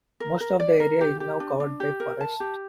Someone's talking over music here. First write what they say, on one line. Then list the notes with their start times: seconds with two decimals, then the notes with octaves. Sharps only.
Most of the area is now covered by forest.
0.20 A#4
0.40 A#4
0.60 D5
0.80 A#4
1.01 G4
1.20 G4
1.40 D4
1.60 D4
1.80 G4
2.00 A#4
2.21 A5
2.40 G4